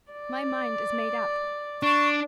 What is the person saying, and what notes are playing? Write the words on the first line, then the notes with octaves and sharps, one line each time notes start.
My mind is made up.
D5
D4 C#6